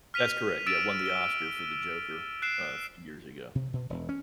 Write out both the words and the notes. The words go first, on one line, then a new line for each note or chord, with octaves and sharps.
That's correct. Yeah, won the Oscar for the Joker a few years ago.
F6 B6 D#7 F7
E6 A6 D7 E7
G7
F#6 C7 D7 E7
C3
B2
E1
C#4